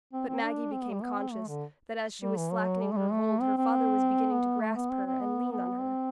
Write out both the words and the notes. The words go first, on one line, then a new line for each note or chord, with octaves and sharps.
But Maggie became conscious that as she was slackening her hold her father was beginning to grasp her and lean on her.
C4
C4
D4
C4
B3
G3
B3
C4
A3
D3
G3
E3
F#3
G3
A3
G3
A3
C4
C4
B3
A3
B3
C4
C4
B3
B3
C4